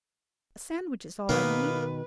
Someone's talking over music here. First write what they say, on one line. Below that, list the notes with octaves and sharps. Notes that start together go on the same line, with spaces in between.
A sandwich is all I need.
B2 D#3 A#3 B3 B4